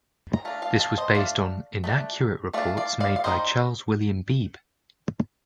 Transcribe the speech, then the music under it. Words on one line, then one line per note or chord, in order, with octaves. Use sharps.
This was based on inaccurate reports made by Charles William Beebe.
A#5
A3 D4 F5 A5
F5 A5
F5 A5
C5 D#5
A3 D4 D5 F5
A3 D4
A3 D4 D5 F5
D5 F5
D5 F5
F5
G3 A#3 D#4 C5 D#5